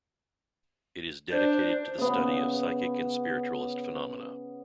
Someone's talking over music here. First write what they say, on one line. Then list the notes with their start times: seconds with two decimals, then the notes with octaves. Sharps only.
It is dedicated to the study of psychic and spiritualist phenomena.
1.32 D4 C5
1.98 C#3 B3